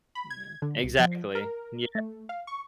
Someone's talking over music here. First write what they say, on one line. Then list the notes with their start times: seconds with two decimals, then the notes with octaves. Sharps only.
meh exactly, yeah.
0.15 B5
0.30 G#6
0.62 D3
0.84 C2
0.99 F3
1.35 A#4
1.95 A3
2.29 F5
2.47 C#6